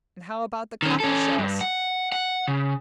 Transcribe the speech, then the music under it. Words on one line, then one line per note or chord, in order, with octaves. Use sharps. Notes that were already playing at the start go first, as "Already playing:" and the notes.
"And how about the cockle-shells?"
D#3 C#4
C#4 A4
G2
F#5
F#5
C#3